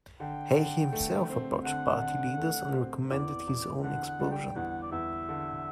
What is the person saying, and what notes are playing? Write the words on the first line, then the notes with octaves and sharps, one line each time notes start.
Hay himself approached Party leaders and recommended his own expulsion.
D3 G5
D3
A3
C4
D3 F#5
D3
A3
C4
E2 D5
E2
D3 F#5
F#5
G3
G5
E2 F#5
D5
E2 E5
D3